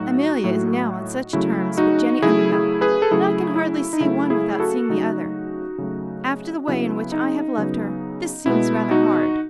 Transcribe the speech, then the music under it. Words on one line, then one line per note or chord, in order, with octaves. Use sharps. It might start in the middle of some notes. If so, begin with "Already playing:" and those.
Amelia is now on such terms with Jenny Underhill that I can hardly see one without seeing the other After the way in which I have loved her, this seems rather hard.
Already playing: A2 F#3 A3 D#4 F#4
A2 F#3 A3
C#3 F#3 A3 E4
D#4 F#4
C#3 F#3 A3 E4 G#4
E4 G#4
G#4 B4
A4
C#3 F#3 A3 E4 G#4
E4
D#4
C#3 F#3 A3 E4
E4 G#4
F#4 A4
C#3 F#3 A3 D#4 F#4
C#3 F#3 A3
C#3 F#3 B3 E4
D#4
C#3 F#3 B3
B2 G#3 B3 E4
D#4 F#4